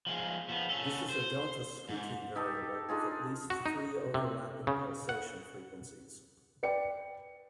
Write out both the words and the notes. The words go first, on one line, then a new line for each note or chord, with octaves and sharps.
This is a delta scuti variable with at least three overlapping pulsation frequencies.
F3 G#3
F3 B3
C#4 A4
C5
G#2
D#4 G4 A4
D4 D#4 F4 G#4
F#4
D#4
C3
C#3
F#5
B4 D5 G5 C#7